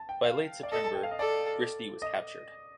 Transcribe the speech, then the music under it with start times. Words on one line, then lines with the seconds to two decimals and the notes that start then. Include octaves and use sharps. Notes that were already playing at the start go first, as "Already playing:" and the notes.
By late September Gristy was captured.
Already playing: A5
0.09 G5
0.25 F5
0.63 D5
0.72 A4 D#5
0.86 A5
0.95 G5
1.03 F5
1.11 D#5
1.19 A4 D5
2.02 D#5